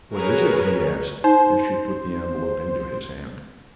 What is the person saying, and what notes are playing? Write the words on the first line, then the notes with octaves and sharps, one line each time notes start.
"What is it?" he asked, as she put the envelope into his hand.
F#4 G#4 A#4 B4 C#5
D#4 C5